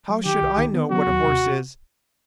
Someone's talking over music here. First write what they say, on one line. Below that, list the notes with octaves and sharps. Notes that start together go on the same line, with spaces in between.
How should I know what a horse is?
F#3
D#3 G4
C2
D#3
B3
F#3 F#4
D#2
C3